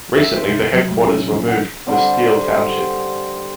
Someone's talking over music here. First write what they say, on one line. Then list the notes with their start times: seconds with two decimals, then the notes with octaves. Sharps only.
Recently the headquarters were moved to the steel township.
0.17 E5
0.33 C5
0.49 C3
0.60 C4
0.73 F#3
0.91 A3
1.06 C#4
1.19 D4
1.32 E3
1.48 F#5
1.87 D3 G3 C4